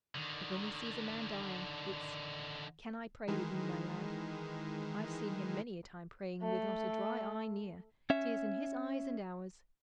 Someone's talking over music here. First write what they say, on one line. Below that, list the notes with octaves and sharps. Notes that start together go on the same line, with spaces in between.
But when he sees a man dying, it's 'Can I pray with you, my lad?' I've seen him many a time praying, with not a dry eye near--tears in his eyes and ours.
D3 D#3
D#3 E3 G#3
A3
C#4 E5